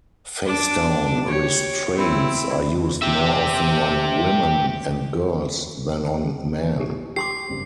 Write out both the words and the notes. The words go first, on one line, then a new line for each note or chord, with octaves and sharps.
Face down restraints are used more often on women and girls than on men.
D4 D6
G4 C#5
C4 E4
G4 E5
E4 G4
G4 G5 C6 D6 C7
F#1 G2 C4